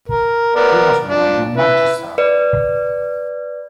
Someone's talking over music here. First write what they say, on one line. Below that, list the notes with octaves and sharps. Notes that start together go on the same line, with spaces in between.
He was born in Manchester.
A#4
B3 A#4 D5
F3 D4
E4 B4
B4 D5